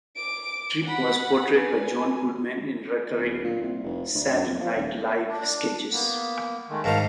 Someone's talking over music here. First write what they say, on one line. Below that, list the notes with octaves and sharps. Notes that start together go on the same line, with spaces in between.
Tripp was portrayed by John Goodman in recurring "Saturday Night Live" sketches.
D6 D7
F#5 B5
B4 G#5
D1
A#2
C2
F1
D2
F#2
F2
F3
D#1
D4
A#3 B3
D#3 G#3 A3
G#2 D#3 D#4 F5 A5 A#5